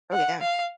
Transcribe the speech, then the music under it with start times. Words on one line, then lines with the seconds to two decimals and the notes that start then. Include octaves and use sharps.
Oh, yeah.
0.13 F#5
0.41 F5